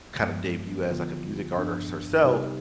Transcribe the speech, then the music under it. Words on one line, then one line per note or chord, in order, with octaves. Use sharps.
kinda debut as, like, a music artist herself,
G2 F3 G#3 B3
D3 F3 B3 F4
G2 F3 B3 D4
C3 G3 B3 D#4 G4